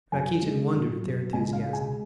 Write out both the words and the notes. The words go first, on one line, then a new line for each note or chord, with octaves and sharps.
Rakitin wondered at their enthusiasm.
F#2 G#5
G#3
F#2
F#2
C#2 G#5
F5
G#3
G#5